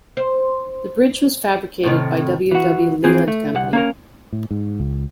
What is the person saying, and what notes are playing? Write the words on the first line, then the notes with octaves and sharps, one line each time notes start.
The bridge was fabricated by W. W. Leland Company.
C5
A2 C3 D#3
E3 F#4
E3 C4 G#4
A3
C2 F#5
A#3 C#4 A#4
A2
G#2
C#2